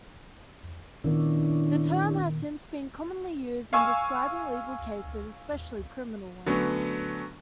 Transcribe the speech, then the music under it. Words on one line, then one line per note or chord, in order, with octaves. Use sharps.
The term has since been commonly used in describing legal cases, especially criminal ones.
A#2 D#3 B3 C#4 D4 E4
F5 G#5 C#6 E6
D3 F#3 A3 B3 C#4